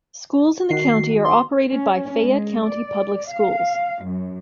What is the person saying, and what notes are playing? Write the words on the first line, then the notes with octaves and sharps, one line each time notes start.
Schools in the county are operated by Fayette County Public Schools.
D#3 F#4 C7
C6
C#4
G#3
D5
F5
F#2